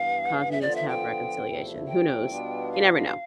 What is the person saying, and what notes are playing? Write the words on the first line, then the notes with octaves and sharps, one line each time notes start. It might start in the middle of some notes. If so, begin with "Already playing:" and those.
causing us to have reconciliation, who knows? You never know.
Already playing: G2 E3 B3 F5
E5
D3 F3 B3 F4 D5
E5
G5
E2 C3 F3 A3 E4
G5
B2 G3 B3 D4 F4
F5